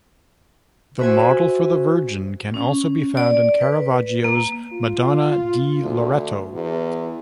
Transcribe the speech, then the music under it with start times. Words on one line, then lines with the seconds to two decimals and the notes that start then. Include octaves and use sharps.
The model for the Virgin can also be found in Caravaggio's "Madonna di Loreto".
0.99 F#4 C5 E5 G#5
2.54 C#4
3.17 D5
3.61 B4
4.24 A#3
4.73 F4
5.82 D2
6.53 E2